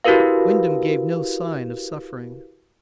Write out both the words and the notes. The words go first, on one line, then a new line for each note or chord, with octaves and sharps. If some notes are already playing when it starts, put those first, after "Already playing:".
Wyndham gave no sign of suffering.
E4 F#4 G4 A#4 B4 F5